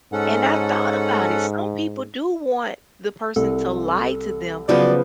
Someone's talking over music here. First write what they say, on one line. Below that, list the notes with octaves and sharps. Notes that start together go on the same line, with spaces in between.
And I thought about it, some people do want the person to lie to them,
G#2 C#4 A4 F#5
C2 A4
C#3 F3 F#3 B3 D5